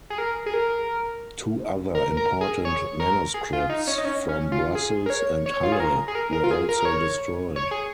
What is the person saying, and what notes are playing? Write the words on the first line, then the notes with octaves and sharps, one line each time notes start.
Two other important manuscripts, from Brussels and Halle, were also destroyed.
G#4
A#4
G#4
A#4
A#4
A#4
G#4
C#5
A#4
G#4
F4
D#4
C#4
D#4
C#4
C#4
F4
G#4
A#4
C#5
C#5
F4
G#4
A#4
G#4
A#4
A#4
F4
G#4
A#4
A#4
C#5
C#5
G#4